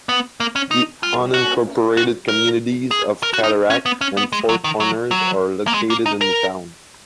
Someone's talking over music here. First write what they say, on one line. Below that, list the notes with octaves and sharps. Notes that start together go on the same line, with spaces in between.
The unincorporated communities of Cataract and Four Corners are located in the town.
B3
A#3
C#4
D#4
F4
F#4
F#4
A#4
G#4
A#4
F#4
D#4
C#4
B3
C#4
B3
G#3
F#3
D#3
F#3
F#3
A#3
G#3
A#3
D#4
A#4